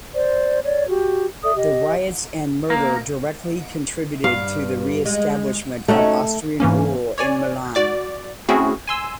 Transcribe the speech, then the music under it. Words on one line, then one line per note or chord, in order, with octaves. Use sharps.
The riots and murder directly contributed to the re-establishment of Austrian rule in Milan.
C5 D5
C#5 D5
F#4 G4
A4 D5 E5 D#6
G4 D#5
A#3
G2 F5
G#3
A3 C#4 D#4 F#4
G#2 E3 A#3 C#4
C#5 D5 G#5
F#4 D5 D6
A3 C4 C#4 E4 F#4 G#4
G#5 C6 E6